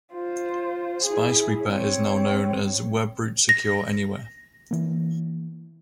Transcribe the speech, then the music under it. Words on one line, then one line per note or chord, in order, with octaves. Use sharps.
Spy Sweeper is now known as Webroot Secure Anywhere.
F4 C5
E4 G#4
C4 C#5
A#6
E3 A#3